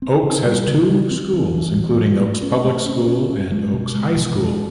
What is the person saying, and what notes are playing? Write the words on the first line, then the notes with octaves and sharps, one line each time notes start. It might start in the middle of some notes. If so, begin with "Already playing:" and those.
Oakes has two schools, including Oakes Public School and Oakes High School.
C4
C#3
G3
C#3
C#3
C4
E3
E3
A2
F#3
A3
C#4
A3
C#4
C#4
C#4
G#3
B2
G#3
B2
G#3